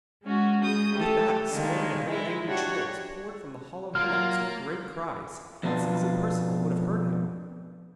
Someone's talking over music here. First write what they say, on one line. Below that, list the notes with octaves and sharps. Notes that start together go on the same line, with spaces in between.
With that a swarm of little angry trolls poured from the hollow hillocks with great cries, and seizing Perceval would have hurt him.
G#3 C#4 F#4
C#3 G#3 D#6 G6
A3 G4 A4
D3 D#3 G#3 A#3
G#3 E4
D4 F#4 G4 C#5 F#5
F#3 A#3 F4 F6
F2 B2 B3 D4 F4